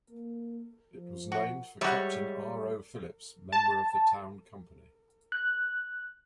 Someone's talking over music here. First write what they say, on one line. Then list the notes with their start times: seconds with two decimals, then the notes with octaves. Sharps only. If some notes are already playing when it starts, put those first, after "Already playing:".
It was named for Captain R. O. Phillips, member of the town company.
0.11 A#3
0.93 F3
1.32 F#4
1.81 G3 G#3 F#4 C#5 E5
3.52 A5
5.32 F#6